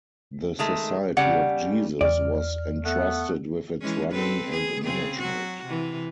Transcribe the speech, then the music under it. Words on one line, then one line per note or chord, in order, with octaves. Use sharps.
The Society of Jesus was entrusted with its running and management.
D#3 G#3 A3
C#3 G3 F#5
E2 D5 F6
A3 B3 F#5
E3 G#3 C#4
C4 A4 B4
G#4
C#3 C4 G#4
F#3 F#4
C3 E3